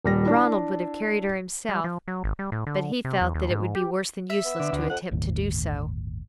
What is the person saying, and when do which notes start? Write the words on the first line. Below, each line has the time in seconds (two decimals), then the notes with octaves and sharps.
Ronald would have carried her himself, but he felt that it would be worse than useless to attempt to do so.
0.04 D#1 G3 A#6
0.26 D4 E4
1.69 G3
1.84 F3
2.08 F#3
2.24 G#1
2.39 G3
2.52 A2
2.67 D3
3.05 C3
3.21 E2
3.34 D#2
3.50 G#2
3.75 G4
4.30 E5
4.45 B3
4.60 D3
4.72 D2
4.90 F2 F#5
5.12 G1 D#2 A2